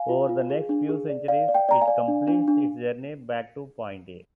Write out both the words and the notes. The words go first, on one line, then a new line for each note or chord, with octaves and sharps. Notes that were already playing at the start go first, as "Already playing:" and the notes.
Over the next few centuries it completes its journey back to point A.
Already playing: F5 G#5
F4
F4
G#4
D4
G#4
D5
D5 F5
D5
G5
D5 A#5
F5 G#5
D5
D4
D4
D4